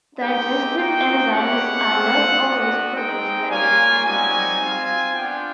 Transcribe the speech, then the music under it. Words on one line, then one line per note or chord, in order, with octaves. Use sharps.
Digestive enzymes are not always produced by the plants themselves.
G#3 C4 D#4 G4 G5
A#3 D#4 F#4 G5
G#3 C#4 E4 G4 F#5
C4 F4
B3 D4 F#4
G#3 C4 D#4 G5
A#3 C#4 F4 G#5
G3 C4 D#4 F#4 G#5
C4 F4
B3 D4 F4 G5